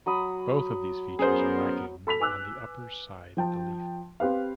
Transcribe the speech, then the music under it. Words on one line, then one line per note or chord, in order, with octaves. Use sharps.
Both of these features are lacking on the upper side of the leaf.
F#3 B5 D#6
F#2 B3 G#4 A#4 C5
A4 B5 B6 F7
B4 G#5 D6 E6 F#6
F3 G5 A5
C4 G4 B4 F5